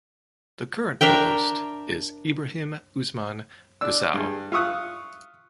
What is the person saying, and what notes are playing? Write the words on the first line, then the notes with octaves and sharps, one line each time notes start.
The current provost is Ibrahim Usman Gusau.
D4 A#4 E5 G5
D4 E6
G2 G#4
F4 E5 C#6 D#6 F#6